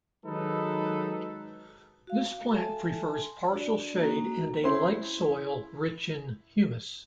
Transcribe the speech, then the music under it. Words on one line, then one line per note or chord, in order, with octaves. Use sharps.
This plant prefers partial shade and a light soil, rich in humus.
D#3 F#3 G#3 D#4 A4 B4
F#4 F5
A4 E5 G#5 A5
C6
D4 F#4 D5
A#3 C#4 D#4 F#4 A#5
C#4 E4 C5 C6